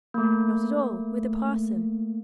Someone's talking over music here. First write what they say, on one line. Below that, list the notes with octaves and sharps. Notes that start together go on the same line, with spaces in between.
"Not at all; with a parson."
A3 A#3